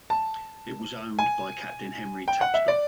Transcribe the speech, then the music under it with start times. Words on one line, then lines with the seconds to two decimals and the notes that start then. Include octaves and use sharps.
It was owned by Captain Henry Tapscott.
0.10 A5
1.19 G#5
2.28 G5
2.41 F#5
2.54 E5
2.68 D5